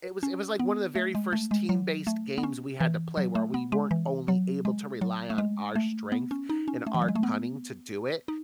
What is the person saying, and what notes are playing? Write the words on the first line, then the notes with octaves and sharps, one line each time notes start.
it was it was, like, one of the very first team-based games we had to play where we weren't only able to rely on our strength and our cunning to do it,
C#4
B3
A3
G#3
A3
G#3
F#3
A3
B3
C#4
E3
F#3
A3
B3
G#3
E3
F#3
G#3
F#3
A3
G#3
A3
B3
C#4
D#4
C#4
A3
E3
F#3
G#3
A3
B3
D#4